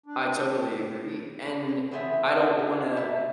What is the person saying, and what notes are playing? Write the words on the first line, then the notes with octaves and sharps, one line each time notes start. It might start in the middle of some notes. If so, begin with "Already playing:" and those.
I totally agree, and I don't wanna
D4
C#5
E3 A3 B3 C4 G#4 E5
D4
D4
A#2 E5 A5